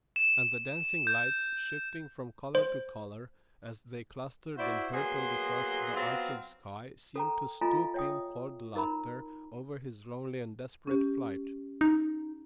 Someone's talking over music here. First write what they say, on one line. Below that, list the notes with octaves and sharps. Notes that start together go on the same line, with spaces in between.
And the dancing lights, shifting from color to color as they clustered and hurtled across the arch of sky, seemed to stoop in cold laughter over his lonely and desperate flight.
E7
G6
C5
E4 F#4 C5 D5 E5
F#3 A#3 B3 G#4 C6
F#3 B3 C4 F4
A4 G5 A#5
F4 A4 D#5 F5 G#5 A#5
C#5 E5 G5 D#6
D#4 A#4 A#5 B5
C#4 G4
D#4